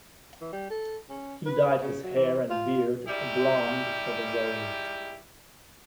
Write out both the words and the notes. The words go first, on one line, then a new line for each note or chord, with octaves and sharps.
He dyed his hair and beard blonde for the role.
E3
G3
A4
C#4
B4
C#3
F#3
E3
F4
G#2 G3 E4 G4